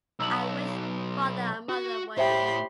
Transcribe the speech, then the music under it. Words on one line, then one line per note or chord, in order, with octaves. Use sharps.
I wish father and mother were here.
B1 E6 F#7
F#4
A2 G4 C5 E5 G5 B5 C6